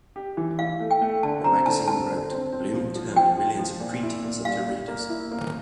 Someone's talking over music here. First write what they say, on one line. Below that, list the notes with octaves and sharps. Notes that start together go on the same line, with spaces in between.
The magazine wrote, Blume turned millions of pre-teens into readers.
G4
E3
E4 F5
A3
G5
A3
D3 A5
C4 A#5
D3 A5
C4 A5
D3
C4
C4
F3
F3
F3 G5
F3
F3
A#2
E4
A#2
G3 F5
A#2
A#3
E4
A#3